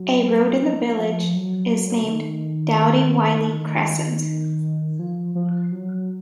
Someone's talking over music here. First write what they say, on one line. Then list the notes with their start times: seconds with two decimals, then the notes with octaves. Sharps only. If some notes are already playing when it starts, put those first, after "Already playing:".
A road in the village is named Doughty-Wylie Crescent.
Already playing: F#3
0.61 F3
0.98 F3
1.34 F#3
2.02 C#3
2.07 D#3
3.53 D#3
4.99 F3
5.35 F3
5.72 F#3